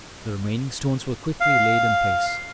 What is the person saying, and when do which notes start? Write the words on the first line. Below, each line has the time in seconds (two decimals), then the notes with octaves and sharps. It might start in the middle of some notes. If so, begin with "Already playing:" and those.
The remaining stones were quickly laid in place.
1.41 F5